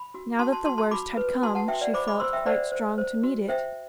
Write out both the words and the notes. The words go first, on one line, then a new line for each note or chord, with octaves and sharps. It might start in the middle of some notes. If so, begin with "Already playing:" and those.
Now that the worst had come, she felt quite strong to meet it.
Already playing: B5
F#4
F#4 A5 C6
A5 C6
F#4 A5 C6
A5 C6
F#4 B5 D6
B4
F#4 A5 C6
F#5 A5
F#4 E5 G5
D5 F#5
C5 B5 D6
B5 D6
C5 C6 E6
E5 G5
C5 D5 F#5
C5
C5
F#4
C5 E5 G5